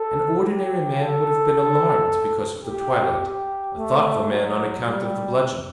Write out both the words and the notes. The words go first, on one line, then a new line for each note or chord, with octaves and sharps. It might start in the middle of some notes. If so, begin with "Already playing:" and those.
An ordinary man would have been alarmed because of the twilight, a thoughtful man on account of the bludgeon.
Already playing: A4
G4
A4
G4
G4
A3
F#3
G3